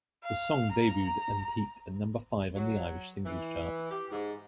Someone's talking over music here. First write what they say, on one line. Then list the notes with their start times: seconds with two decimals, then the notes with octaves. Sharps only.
The song debuted and peaked at number five on the Irish Singles Chart.
0.24 F5
0.71 A#5
2.55 F#3
3.26 E3
3.91 G4
4.11 G#2